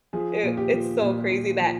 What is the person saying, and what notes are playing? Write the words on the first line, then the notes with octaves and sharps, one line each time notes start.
it it's so crazy that,
F3 G#4
A#2
G4
F3
A#2
A#2
F3